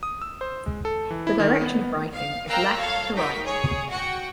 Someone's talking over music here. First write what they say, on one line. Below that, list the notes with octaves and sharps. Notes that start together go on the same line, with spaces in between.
The direction of writing is left to right.
D#6
E6
C5
G#3
A4
E3
E4
D#3
B3
F5
A#4 F5 G5 A#5 E6 F#6
A4 C#5 F5
D#4 F#4 A#4 G5 B6
G#4 C#5
F#4 F#5 G5